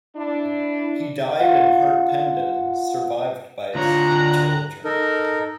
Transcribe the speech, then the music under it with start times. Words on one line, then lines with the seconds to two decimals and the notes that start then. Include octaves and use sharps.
He died in Harpenden, survived by his two children.
0.17 D4 E4
1.40 F4 F5 F#5
3.75 D2 D4 F4 C#5 A#5 F#6
4.84 D#4 A4 A#4